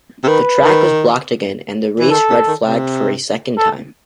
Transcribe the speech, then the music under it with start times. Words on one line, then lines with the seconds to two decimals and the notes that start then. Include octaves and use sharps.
The track was blocked again and the race red flagged for a second time.
0.24 C3
0.28 D#3 B4
0.64 D#3
2.00 E3
2.11 D#3 A4
2.30 C3
2.48 D#3
2.66 C3
3.58 A4